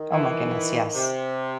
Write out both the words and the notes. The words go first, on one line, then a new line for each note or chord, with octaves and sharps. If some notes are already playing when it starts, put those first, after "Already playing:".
Oh my goodness, yes.
Already playing: D#3
E3
C3